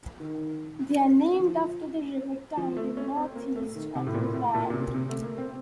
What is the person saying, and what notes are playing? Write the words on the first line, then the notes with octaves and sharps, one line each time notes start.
They are named after the River Tyne in north-east England.
D#3
F3
F3
A3
C#4
C4
A#3
A3
D#3
C3
A2
A#2
A2
A#2
A#2
C3
C3
A3
A#3
C4